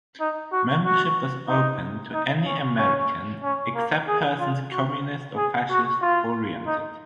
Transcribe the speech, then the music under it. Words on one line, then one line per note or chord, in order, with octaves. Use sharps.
Membership was open to any American "except persons Communist or Fascist oriented".
D#4
F#4
F#4
D#4
D#4
C#4
C#4
C#4
A#3
G#4
F4
F#4
G#4
F#4
F4
D#4